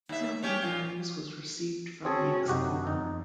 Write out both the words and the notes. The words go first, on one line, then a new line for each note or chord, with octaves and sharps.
No further news was received from the explorer.
D#2 E5
C#4 G4 C#5
A#2 F4
C4 C#4 F#4 G#4 A4
F#2 C3 D#4 F#4 G4
F2 D#4